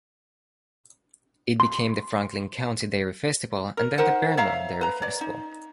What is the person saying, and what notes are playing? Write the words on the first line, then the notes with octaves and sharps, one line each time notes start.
It became the Franklin County Dairy Festival and then The Vermont Dairy Festival.
C6
A#4
D#4 A#4 C5 F#5
C#5 E5 F5 A#5
B4 A#5
C#5 D5
D#4